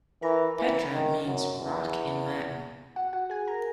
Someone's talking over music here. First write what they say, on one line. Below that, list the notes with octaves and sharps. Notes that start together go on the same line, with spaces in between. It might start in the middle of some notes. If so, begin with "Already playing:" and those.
"Petra" means "rock" in Latin.
E3 A#4 A#5
E3
D#3
F#2
E2
F#4 F#5
F#4 F#5
G#4 G#5
A#4 A#5